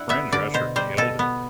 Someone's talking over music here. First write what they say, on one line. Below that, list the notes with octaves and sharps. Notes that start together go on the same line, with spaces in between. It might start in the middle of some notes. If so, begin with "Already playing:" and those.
Fran Drescher killed it.
Already playing: D4 E4 F#5
B3 E5
D3 D5
B2 C5
G3 C5
B2 A4
B3